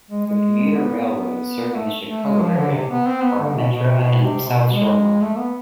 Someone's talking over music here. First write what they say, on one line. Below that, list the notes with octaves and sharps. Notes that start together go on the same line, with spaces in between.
The commuter railroads serving the Chicago area are Metra and the South Shore Line.
G#3
G#3
B3
B3
A3
A3
G#3
F3
D3
C3
B3
C4
B3
D3
B2
B2
B2
C3
B2
G#3
A3
B3